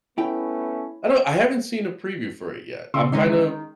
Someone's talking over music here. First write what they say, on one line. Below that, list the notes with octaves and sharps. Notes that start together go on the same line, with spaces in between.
I don't I haven't seen a preview for it yet. I'm kind of
A3 B3 C#4 E4 G5
C#3 C6 E6
D#3 G#3 C#4 C6